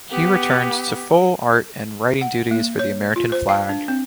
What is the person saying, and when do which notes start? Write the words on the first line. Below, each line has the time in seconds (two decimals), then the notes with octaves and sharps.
He returned to full art and writing duties for the American Flagg!
0.11 B3 G4
2.21 F#5
2.51 A#3
2.79 C#5
3.16 F4
3.32 C5
3.49 F5
3.69 D4
3.88 C4